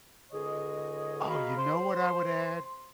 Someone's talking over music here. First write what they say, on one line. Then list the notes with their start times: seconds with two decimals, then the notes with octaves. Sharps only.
Oh, you know what I would add?
0.31 C#2 G#2 D3 G#4 C#5 D#5
1.26 F#4 G#4 D#5 F5 A#5 B5
1.56 C5 C6